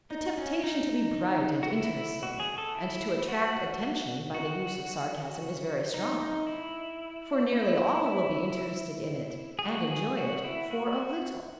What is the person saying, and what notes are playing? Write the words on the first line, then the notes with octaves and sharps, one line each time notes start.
The temptation to be bright and interesting and to attract attention by the use of sarcasm is very strong, for nearly all will be interested in it and enjoy it for a little.
D#4
C#4
D#4
F#4
E4
F#4
G#4
A4
E4
F#4
F#4
D#4
D#4
E4
E4
E4
G#4
F#4
G#4
F#4
E4
F#4